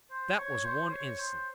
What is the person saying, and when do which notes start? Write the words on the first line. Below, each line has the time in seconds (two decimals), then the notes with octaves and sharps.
That was one instance.
0.11 C5
0.37 C#5
0.64 C5
0.91 C#5
1.18 C5